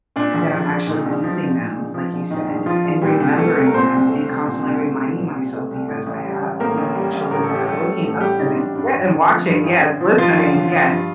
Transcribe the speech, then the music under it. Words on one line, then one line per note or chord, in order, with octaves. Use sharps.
that I'm actually using them, like you said, and remembering them, and constantly reminding myself, because I have, you know, children that are looking up to me. Yeah, and watching, yes, listening, yes.
A#2 D4
A#1
F3
A#1
A#2 D#3 D#4
A#1
F3
A#1
A#2
A#1
F3
A#1
A#2 D#3 D#4
A#1
F3 F4
A#1
A#2 G3 G4
C2
A3 A4
C2
A#4
A#2 C4 C5
C2
A3
C2
A#2
C2
A3
C2
A#2
C2
A3
C2
A2
A1
G3
A1
A2 A#3 A#4
A1
G3
A1
A2 A#4
A4
A1
G4
G3 A3 A4
A1
A2 A3 A4
A1 G3 G4
D#3 G3 D#4
C4
A1 D4
D#4
G2 D4
A1
D3
F3
G2
A1
D3
F3
G2 F3 F4
A1
D3
F3
G2